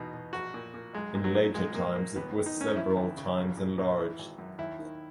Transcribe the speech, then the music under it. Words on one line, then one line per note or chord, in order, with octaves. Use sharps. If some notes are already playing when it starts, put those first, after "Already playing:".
In later times it was several times enlarged.
Already playing: E2 B2 D#4
B2
A#1 F#4
A#2
A#2
B1 G#3
A#2
F#3
A#2
B1 G#3
A#2 A#3
A#2 A#3
D#2 B3
D#3
D#4
D#3 C#4
D#4
E3 E4
D#2
C#3
A#1
A#2
A#2
E3
G#1
F#2
D#2 E4
D#3